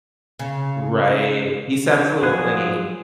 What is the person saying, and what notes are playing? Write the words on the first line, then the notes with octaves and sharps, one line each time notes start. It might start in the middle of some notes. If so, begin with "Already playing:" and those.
Right. He sounds a little clingy.
C#3
F3 F#3 G#4 F#6